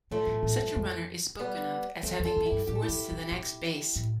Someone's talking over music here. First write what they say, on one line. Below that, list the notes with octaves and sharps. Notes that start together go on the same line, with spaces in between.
Such a runner is spoken of as having been forced to the next base.
A2 F3 A3
A2
A2
G2
F2
G3 B3
F2 A3 C4
E2
F4 A4
F2
E4 G4
G2
A2 G4
A4
E4 G4
B2
B2
B2
A2